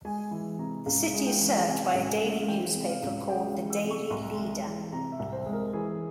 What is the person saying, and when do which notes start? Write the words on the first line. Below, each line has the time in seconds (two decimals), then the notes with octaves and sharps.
The city is served by a daily newspaper called "The Daily Leader".
0.05 G#3 G#5
0.31 E3
0.58 C3 A#5
0.86 C#2 A#5
1.13 G#3
1.27 G5
1.40 E3
1.67 C3 G#5
1.94 C#2
2.21 G#3
2.28 E5
2.38 F5
2.48 E3 G5
2.75 C3
2.89 F5
3.03 C#2
3.29 G#3 G5
3.57 E3
3.70 E6
3.84 C3
3.91 C#6
4.10 C2 C6
4.38 G#3
4.65 E3
4.92 C3 A#5
5.12 E5
5.19 C2
5.33 C5
5.46 G#3
5.53 A#4
5.73 E3 G#4